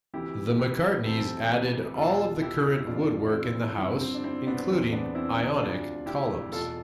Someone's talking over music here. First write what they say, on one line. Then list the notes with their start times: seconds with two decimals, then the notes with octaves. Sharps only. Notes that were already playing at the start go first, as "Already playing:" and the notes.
The McCartneys added all of the current woodwork in the house, including ionic columns.
0.14 D2 C3 E3 E4 G4
0.59 G4 B4
1.05 D2 C3 E3 A4 C5
1.50 G4 B4
1.96 E2 B2 F4 A4
2.41 E4 G4
2.87 F2 C3 E3 D4 F4
3.32 C4 E4
3.79 G2 D3 F3 C4 E4
4.01 C4
4.15 D4
4.24 C4 E4
4.47 B3 D4
4.70 E2 C3 E3 C4
4.93 B3 D4
5.15 C4 E4
5.38 C4 E4
5.61 D2 C3 F3 D4 F4
6.06 E4 G4
6.52 E2 B2 F4 A4